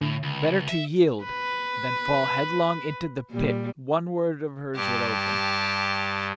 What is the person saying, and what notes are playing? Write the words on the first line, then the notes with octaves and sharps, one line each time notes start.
Better to yield than fall headlong into the pit one word of hers would open.
A2 D3
C#2
E5
B4
A#2 G3
G2 G4 A5